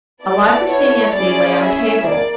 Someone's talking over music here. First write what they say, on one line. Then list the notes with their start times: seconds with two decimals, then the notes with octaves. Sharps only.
A life of St. Anthony lay on the table.
0.23 B3 E4 A4 D5
0.69 C#5
1.14 C#4 E4 G#4 D5
1.60 E5
2.07 A#3 D5